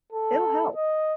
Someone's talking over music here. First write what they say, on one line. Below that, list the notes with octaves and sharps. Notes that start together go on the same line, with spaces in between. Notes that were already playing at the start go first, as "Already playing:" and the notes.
It'll help.
A4
D#5